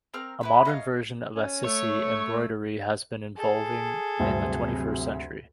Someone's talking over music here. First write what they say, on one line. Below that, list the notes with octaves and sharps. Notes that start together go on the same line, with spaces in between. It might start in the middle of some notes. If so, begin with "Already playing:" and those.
A modern version of Assisi embroidery has been evolving in the twenty-first century.
C4 A#4 F6
E4 B4 B5
C#4 D#4 F5
C#4
A3 C#5
G#4 A4
D2 G2 C3 F#3 C4